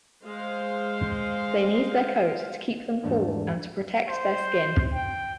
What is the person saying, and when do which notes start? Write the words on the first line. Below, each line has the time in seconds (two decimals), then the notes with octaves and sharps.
They need their coat to keep them cool and to protect their skin.
0.24 G#3 C5 F5
3.04 E2 G#2 A3 D4
4.08 C5
4.93 G5